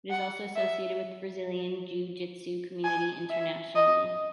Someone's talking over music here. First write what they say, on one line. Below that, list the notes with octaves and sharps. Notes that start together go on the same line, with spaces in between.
It is also associated with the Brazilian jiu jitsu community internationally.
F#5
E5
G#5
E5
D#5